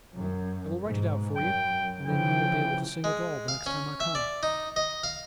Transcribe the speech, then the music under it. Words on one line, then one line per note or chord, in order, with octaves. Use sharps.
"I will write it out for you, and then you will be able to sing it all the next time I come."
F#2
G#2 B2
F#2 G5
C#3 E3 F3 G5
G#3
F5
C#4
E5
D5
D#4
D#5
F5